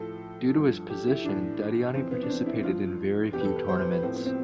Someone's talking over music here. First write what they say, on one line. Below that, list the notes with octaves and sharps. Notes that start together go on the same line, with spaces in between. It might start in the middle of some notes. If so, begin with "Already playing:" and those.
Due to his position, Dadiani participated in very few tournaments.
Already playing: A2 F3 A4
G2 F3
G4
E4
A2 E3 D4
F2 C3 E3 C4
B3
D4
C4
E4
G2 F3 F4
E2 B2 G4
B4
A4
B4
C5
B4
B4
A2 F3 C4
B3
C4